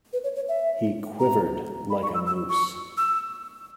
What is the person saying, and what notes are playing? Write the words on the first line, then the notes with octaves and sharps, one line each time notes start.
He quivered like a mousse.
B4
C#5
C#5
E5
A#5
B5
C#6
E6
E6
C#6
E6